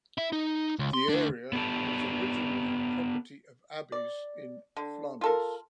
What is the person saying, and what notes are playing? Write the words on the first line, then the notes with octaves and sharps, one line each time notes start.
The area was originally property of abbeys in Flanders.
E4 E5
D#4
C#2
C6
D2 D4
B3 G4 A4
D5
D3
F4 A4 A#4